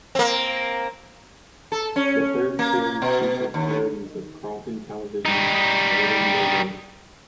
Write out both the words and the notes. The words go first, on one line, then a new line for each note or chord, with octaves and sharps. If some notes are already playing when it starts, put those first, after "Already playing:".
The third series featured parodies of Carlton Television's early logos.
A#3 C4
A4
C#4
A#3
B2
D#2
G3 D#4